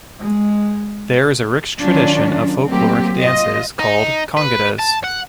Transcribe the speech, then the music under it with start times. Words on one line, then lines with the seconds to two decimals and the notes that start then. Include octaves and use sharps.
There is a rich tradition of folkloric dances called congadas.
0.19 G#3
1.81 D#3 F#3 C#4 D4 F4
2.67 F#3 A3 A#3 C4 G4
3.20 F4 D#5
3.79 D#4
4.37 B4
4.79 A5
5.04 F#5